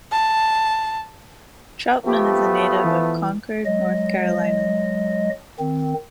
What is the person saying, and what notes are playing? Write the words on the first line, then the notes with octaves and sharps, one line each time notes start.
Troutman is a native of Concord, North Carolina.
A5
F3 A3 B3 G4
E3
F#3 G#3 D#5
D#3 C4